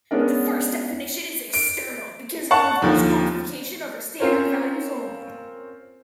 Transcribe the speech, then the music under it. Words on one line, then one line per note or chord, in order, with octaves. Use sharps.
The first definition is external because it involves quantification over standard values only.
G#3 B3 C#4 D4 A#4
D7
F#5 A5 C#6
D#2 D3 F3
C4 C#4 F4 A#4 C5 C#5